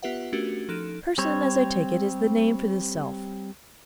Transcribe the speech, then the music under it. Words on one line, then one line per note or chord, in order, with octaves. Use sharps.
PERSON, as I take it, is the name for this self.
B3 F4 G4 B4 E5 F#5
A3 C#4 D4 F#4 G4 A#4
F3 D#4 A4 F6 F#6 D7
G3 C4 C#5